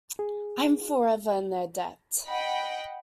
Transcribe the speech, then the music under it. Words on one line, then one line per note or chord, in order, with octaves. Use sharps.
I'm forever in their debt.
G#4
D#5 F#5 G5 B5